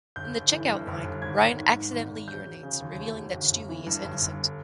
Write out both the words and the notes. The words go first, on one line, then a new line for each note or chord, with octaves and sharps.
In the checkout line, Brian accidentally urinates, revealing that Stewie is innocent.
G1 G6
G1
E3
G2
G1
G1
G#1 G#6
G#1
D#3
G#2
G#1
G#1
E1 G6
E1
C#3
D#2
E1
E1
G1
G1
E3
G2
G1
G1